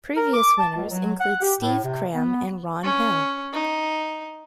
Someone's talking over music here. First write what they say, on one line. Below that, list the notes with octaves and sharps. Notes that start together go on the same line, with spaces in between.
Previous winners include Steve Cram and Ron Hill.
A#4
D6
A5
C#2
F#3
F#5
G4
A2
C3
B3
C#4
D#4